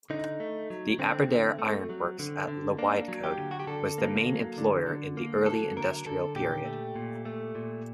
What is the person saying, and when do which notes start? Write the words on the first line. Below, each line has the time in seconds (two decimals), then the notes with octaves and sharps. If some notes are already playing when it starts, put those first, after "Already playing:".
The Aberdare Ironworks at Llwydcoed was the main employer in the early industrial period.
0.10 D3 D#4
0.40 A3
0.70 F#3
0.99 D3 C4
1.29 D3
1.59 A3
1.89 F#3
2.19 D3
2.48 D3
2.78 A#3 D4
3.08 F#3
3.24 G4
3.38 D3
3.51 F#4
3.60 G4
3.67 D3 A4
3.98 A#3
4.27 F#3
4.58 D3
4.87 D3
5.17 A#3
5.46 F#3 A4
5.76 D3 A#4
6.06 D3 A4
6.35 A#2 G4
6.65 A3
6.96 A#2
7.25 A3
7.55 A#2